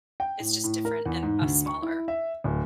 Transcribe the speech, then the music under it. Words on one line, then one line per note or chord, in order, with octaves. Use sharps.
it's just different and a smaller
G5
A2
A2
A#4
E2
G#2
D2
C#6
E4
E5
D1